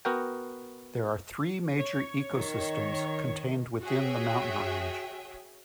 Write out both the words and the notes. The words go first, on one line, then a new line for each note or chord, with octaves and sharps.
There are three major ecosystems contained within the mountain range.
B3 F#4 A#4 G5
C#5
D#3
F#4 G#4 C#5 E5 G5